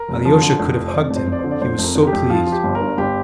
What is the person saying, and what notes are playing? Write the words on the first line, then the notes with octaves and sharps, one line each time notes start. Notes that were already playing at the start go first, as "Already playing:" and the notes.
Alyosha could have hugged him, he was so pleased.
Already playing: A#4
F1
F3
D3
F2
F1
C5
F1 D5
F2
C5
F2 D5
C5
D3
D5
F2 C5
F2
A#4
F2
A#4
G4
F2
F3 F4
F3
G4
G1
A#4
G2
G1 G4